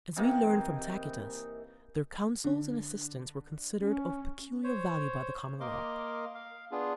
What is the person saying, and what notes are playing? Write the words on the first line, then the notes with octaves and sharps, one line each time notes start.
As we learn from Tacitus, their counsels and assistance were considered of peculiar value by the Commonwealth.
C3 E3 A#3 D#4
D3
C#4
C5 C#5
A#3 A#4 D#5 C6 D6
F5
B3 D4 F4 G#4